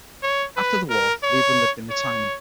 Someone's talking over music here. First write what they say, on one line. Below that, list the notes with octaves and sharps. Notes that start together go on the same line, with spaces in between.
After the war, Lebrun lived in retirement.
C#5
B4
A#4
C#5
C#5